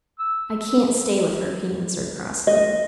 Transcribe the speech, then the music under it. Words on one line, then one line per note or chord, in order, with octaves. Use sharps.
'I can't stay with her,' he answered crossly.
E6
D#5